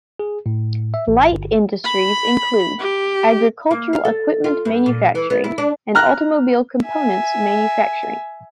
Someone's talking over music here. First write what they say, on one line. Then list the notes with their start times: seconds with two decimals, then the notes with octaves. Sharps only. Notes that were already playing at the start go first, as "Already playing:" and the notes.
Light industries include agricultural equipment manufacturing and automobile components manufacturing.
0.19 G#4
0.46 A2
0.94 E5
1.08 A1
1.32 G1
1.84 B5
2.79 G4
3.71 A#3
3.93 F5
4.05 A4
4.44 F4
4.65 G2
4.86 A#2
5.15 E3
5.30 B3
5.44 E4
5.58 D4
5.95 A#5 F6 F#6
6.85 E5 G#5